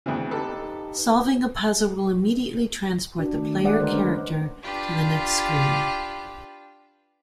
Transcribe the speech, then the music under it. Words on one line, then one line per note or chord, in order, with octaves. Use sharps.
Solving a puzzle will immediately transport the player character to the next screen.
D2 C#3 E3 C4
D#4 G4 A4 B4
D4 F#4
D#3 A3
G#3 B4 D5 F#5
D3 G3 A3 A#4 C5
C#4 D4 B4
D4 F4 G4 B4